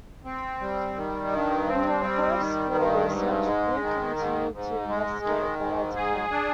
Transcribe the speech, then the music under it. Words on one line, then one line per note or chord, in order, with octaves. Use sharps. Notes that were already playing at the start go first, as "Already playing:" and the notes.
In her post-war research, Wu continued to investigate beta decay.
C4
G3
D#3
G2
C4
G3
D#3
G2
G#2
G#3
D#3
G#2
G#2
G#3
D#3
G#2
G#4
D4